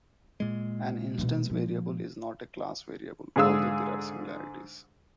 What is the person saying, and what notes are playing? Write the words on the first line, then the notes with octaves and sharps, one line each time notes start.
An instance variable is not a class variable although there are similarities.
A#2 G#3
B2 D#3
F3
G#2 D3 G#4 F5 E6